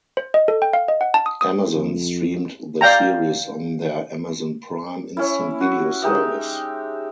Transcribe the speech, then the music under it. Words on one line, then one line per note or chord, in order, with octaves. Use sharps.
Amazon streamed the series on their Amazon Prime Instant Video service.
C5
D#5
A4
G5
F5
D#5
F#5
A5
D#6
D#6
F2
D5 F5 G5 A#5
C#4 E4
F#4
G#3 D#4 G4 E5